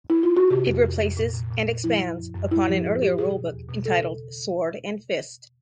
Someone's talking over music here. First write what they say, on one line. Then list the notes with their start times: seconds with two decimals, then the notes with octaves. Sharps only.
It replaces and expands upon an earlier rulebook entitled "Sword and Fist".
0.10 E4
0.23 F4
0.37 F#4
0.50 C3 G4
0.67 F2
0.83 F2
1.00 F2
1.17 A#2
1.34 A#2
1.51 A#2
1.68 A#2
1.84 F3 E4
2.01 F3
2.18 F#2
2.35 F#2
2.51 A2 E4
2.68 F3 G4
2.85 A2 G#4
3.02 F3 G4
3.18 B2 G#4
3.35 B2
3.52 E2
3.69 B2
3.85 C#3 A4